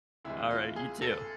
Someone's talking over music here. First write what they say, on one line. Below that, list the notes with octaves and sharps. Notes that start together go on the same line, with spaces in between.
Alright, you too.
D2 C3 E3 G#3 E4
F4
G#4
A4